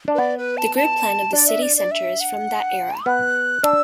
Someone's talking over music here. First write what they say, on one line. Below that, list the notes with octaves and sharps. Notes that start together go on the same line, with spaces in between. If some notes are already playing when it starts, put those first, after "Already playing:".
The grid plan of the city center is from that era.
D4
B4
B3 D5
B4
A5
A5
D4 D5
E5
D5
D5
E5
F#5
B3 F#6
D4 E6